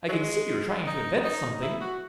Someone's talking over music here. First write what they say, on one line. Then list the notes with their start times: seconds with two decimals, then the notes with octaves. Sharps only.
'I can see you're trying to invent something!'
0.08 F#3
0.12 G#3
0.87 D#4
1.24 D#4
1.62 E4
1.81 F#4